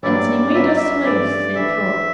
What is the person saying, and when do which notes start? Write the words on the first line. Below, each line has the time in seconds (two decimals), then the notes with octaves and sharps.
"And they made us slaves," said Trot.
0.03 G2 F#3 C#4 E4 D5
0.54 G2 F#3 C#4 E4 E5
0.65 D5
0.77 E5
1.04 G2 E3 A3 D5
1.55 G2 E3 A3 E5